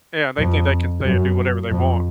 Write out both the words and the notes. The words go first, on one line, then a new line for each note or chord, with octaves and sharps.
Yeah, they think they can say and do whatever they want.
F2
F#2
F2